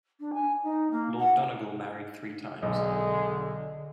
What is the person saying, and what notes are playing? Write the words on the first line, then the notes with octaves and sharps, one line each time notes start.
Lord Donegall married three times.
D4
G#5
D#4
A#3
F#5
B1 D3 G#3 D#5